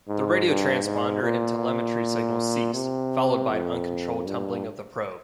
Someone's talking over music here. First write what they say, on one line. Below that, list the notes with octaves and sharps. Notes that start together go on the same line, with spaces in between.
The radio transponder and telemetry signals ceased, followed by uncontrolled tumbling of the probe.
G#2
G2
G#2
A#2
C3
F2
G2